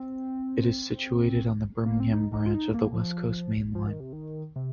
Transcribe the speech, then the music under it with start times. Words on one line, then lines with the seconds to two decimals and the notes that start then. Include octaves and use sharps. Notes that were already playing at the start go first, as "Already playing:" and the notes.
It is situated on the Birmingham branch of the West Coast Main Line.
Already playing: C4
1.86 A#3
2.00 C4
2.14 D#4
2.33 D#4
2.46 F4
2.54 D#4
2.74 A#3
2.94 F3
3.75 F3
3.88 D#3
4.00 C3
4.13 D#3
4.56 C3